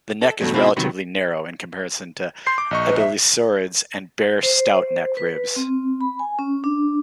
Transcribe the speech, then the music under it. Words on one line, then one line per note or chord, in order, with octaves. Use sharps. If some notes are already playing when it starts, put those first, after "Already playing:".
The neck is relatively narrow in comparison to abelisaurids and bear stout neck ribs.
A4
E2 G2 B2 F#3 A3
B2 D#3 C4 C#4 E4
C3 D#3 F#3 B3
C6 G6 C7
D6
A#1 D#5 C#6
B4
E5
C5
B4
C4
B5
G#5
C#4
D4